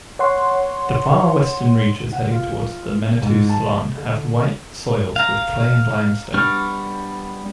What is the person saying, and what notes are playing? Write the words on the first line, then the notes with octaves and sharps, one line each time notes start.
The far western reaches heading towards Menetou-Salon have "white" soils with clay and limestone.
C#5 F#5 C6
F#5
F4
G#2
A5
D3
F5 A#5
G3 B3 D4 C#6 F6